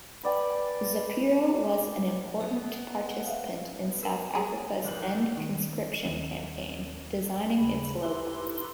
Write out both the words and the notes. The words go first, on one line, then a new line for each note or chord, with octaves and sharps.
Zapiro was an important participant in South Africa's End Conscription Campaign, designing its logo.
B4 D5 G5 G#5
B3
E5 F5
B3
A#4
G#4 G#5
F1 C2 F#7
D#3
D#2
D#2 C#3 B5
D#4 E4 G4 A4 B4 C6